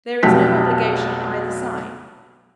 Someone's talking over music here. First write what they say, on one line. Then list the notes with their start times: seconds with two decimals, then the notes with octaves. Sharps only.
There is no obligation on either side.
0.23 F1 B1 B2 G4 B6